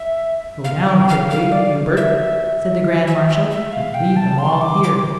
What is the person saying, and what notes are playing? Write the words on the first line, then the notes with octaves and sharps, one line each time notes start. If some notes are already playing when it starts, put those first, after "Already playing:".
"Go down quickly, Hubert," said the Grand Marshal, "and lead them all here."
Already playing: E5
F5
G5
F5
F5
D5
E5
E5
E5
E5
F5
G5
A5
C6
D6
D6